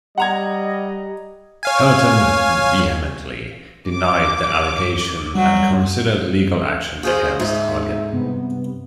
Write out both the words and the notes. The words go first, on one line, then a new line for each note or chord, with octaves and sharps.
Helton vehemently denied the allegation and considered legal action against Hagin.
G3 D#5 F#5 A#5 G#6
C#5 F5 G#5
D6
F#3 G3
F#4 G#4 C5 F5 D#6 G6
G#2 D#4 E5
E5
G2 C3 B3